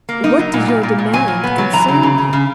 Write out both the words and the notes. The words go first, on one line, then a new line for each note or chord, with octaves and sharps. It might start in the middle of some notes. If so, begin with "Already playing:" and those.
What does your demand concern him?
A#3
D#4
F#3
A#2
A#2
A#2
A#2
F#3 G#5
A#2
B3
F#3
E3 A#5
C#3
C#3
C#3
C#3